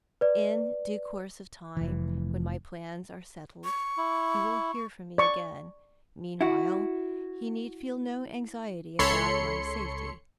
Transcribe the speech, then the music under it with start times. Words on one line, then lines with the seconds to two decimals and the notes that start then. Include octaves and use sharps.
In due course of time, when my plans are settled, he will hear from me again. Meanwhile, he need feel no anxiety about my safety.
0.21 B4 D5
1.77 F1 E3
3.64 C#6
3.97 E4
5.18 D5 C#6
6.41 E4 F#4
8.99 C#2 A4 C#5 B5 C6 C#7